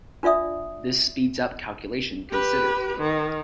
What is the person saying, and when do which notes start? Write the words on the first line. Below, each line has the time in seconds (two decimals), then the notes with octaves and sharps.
This speeds up calculation considerably.
0.23 D4 F4 D5 E5 D#6
2.31 G4 B4
2.98 D#3